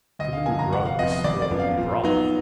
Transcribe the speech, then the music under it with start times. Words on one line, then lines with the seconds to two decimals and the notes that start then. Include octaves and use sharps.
Too many drugs spoil the broth.
0.19 D2 D#5
0.33 F5
0.46 D3 F3 A#3 G#5
0.59 A#5
0.72 F1 F#5
0.85 F5
0.99 F2 F3 B3 F4 D#5
1.12 D#5
1.24 G#1 D5
1.42 D5
1.51 F#2 F3 B3
1.60 F5
1.77 A#2
2.03 F#3 B3 D#4